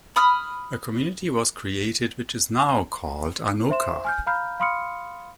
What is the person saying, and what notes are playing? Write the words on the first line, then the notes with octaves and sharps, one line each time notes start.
A community was created which is now called Anoka.
B5 D#6 F6
C5 E5 C6 E7
G#5 F6 G6
F5 A#5 B5 F6 G6
F5 B5 C6 D#6 F6 C#7